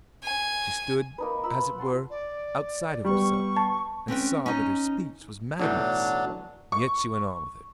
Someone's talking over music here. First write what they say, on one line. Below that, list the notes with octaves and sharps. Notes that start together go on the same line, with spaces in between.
She stood, as it were, outside of herself, and saw that her speech was madness; yet she went on with it.
G#5
A#3 D#4 B4
F4 B5 E6
B4
F#5 A5 C6
D5
G3 B3 C#6
A5
C4 C#4 B4 G5
C#4 D#4
B1 A2 E3 F#3 D4
C#6